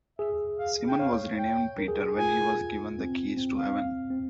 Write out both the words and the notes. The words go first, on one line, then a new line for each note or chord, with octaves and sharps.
Simon was renamed Peter when he was given the Keys to Heaven.
G#4 E5
F5
G5
C#5 F5
G5
A#4
G#4
G4
G#4
F4 G#5
C4
C4
F5
C4